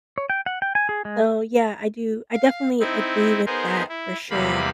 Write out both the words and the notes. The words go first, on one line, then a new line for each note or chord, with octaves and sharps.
So, yeah, I do I definitely agree with that for sure.
C#5
G5
F#5
G5
G#5
G#4
G#3
F5
C4 D#4 E4
B3 D#4 G#4 A#4 C5
E4
E2 C3 G3 A#3 F5 B5